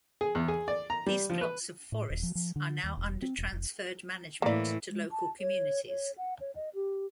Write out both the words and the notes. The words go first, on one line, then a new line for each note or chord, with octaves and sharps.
These plots of forests are now under transferred management to local communities.
G#4
E2
G#4
D5
A#5
G3
F3
B4
A2
D#1
F3
F3
D3
D#2
E1
C4
E1
F1
A2 E3 A#3 D5
G#3
A5
C#5
C#5
F#5
C#5
D#5
G4